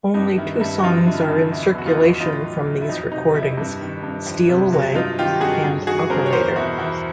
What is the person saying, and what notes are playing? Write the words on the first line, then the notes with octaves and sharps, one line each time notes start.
Only two songs are in circulation from these recordings: "Steal Away" and "Operator".
G2 D#4
D#3 E4
G2 E4
F#4
F#2 D#4 F4
D3 E4
F#2 D#4
E2 E4
B2 F#4
D#4 F4
E2
A2 D#4 F4
F#3
F#3
E4
F2 D#4
C3 D#4
F2 E4
G2
D#3
G2
F2
C3
F#3
G2 D#4 F4
D#3 F4 G4
G2 F#4 G#4
G2
D#3 F#4 G#4
G2 A#4 C5
C#5
E2 A#4 C5
B2 E4 F#4
E2 E4